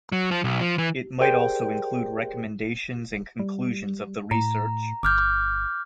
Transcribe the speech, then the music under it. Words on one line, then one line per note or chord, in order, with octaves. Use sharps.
It might also include recommendations and conclusions of the research.
F#3
F3
B1
F3
E3
G4 G#4 A#4 C5 D5 G5
G3
A2 A#5
G1 D6 F6 G6